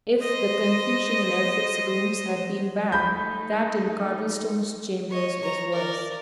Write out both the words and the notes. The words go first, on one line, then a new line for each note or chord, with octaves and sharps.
If the confusion in Elphick's rooms had been bad, that in Cardlestone's chambers was worse.
C5 D#5
A3 D#4 B5 G6
C#5 D#5
C#5 A#5
A#4 D5